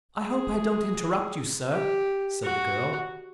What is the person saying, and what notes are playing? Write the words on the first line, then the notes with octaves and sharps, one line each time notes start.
"I hope I don't interrupt you, sir," said the girl.
G#4
G4
F#4